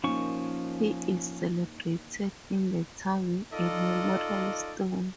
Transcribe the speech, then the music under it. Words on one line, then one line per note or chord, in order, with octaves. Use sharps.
He is celebrated in the town with a memorial stone.
F3 A#3 C#4 D#4 C#6
D#4 F4 A4 D5 D#5